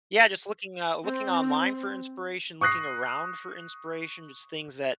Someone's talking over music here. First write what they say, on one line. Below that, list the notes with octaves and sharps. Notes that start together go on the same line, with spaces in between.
Yeah, just looking, uh, looking online for inspiration, looking around for inspiration, just things that
C4
C#6 D#6 F#6 A#6 C7